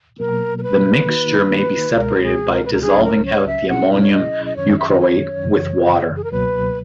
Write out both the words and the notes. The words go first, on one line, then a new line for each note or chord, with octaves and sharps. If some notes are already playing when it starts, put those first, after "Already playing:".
The mixture may be separated by dissolving out the ammonium euchroate with water.
B2 F#3 A#3 A#4
A#4
B4
D#3 A#3 D#4 F#4
C#2 B2 G#3 A#4
G#4
A#4
B4
A#4
C#2 C#3 F#3 C#4 G#4
A#4
C#5
E5
B2 F#3 C#4 E4 G#4 F#5
B4
C#5
D#5
D#5
F#2 D#3 F#3 C#4 C#5
E5
D#5
C#5
F#2 C#3 E3
G#4
A#4
C#2 B2 F#3 A#3 B4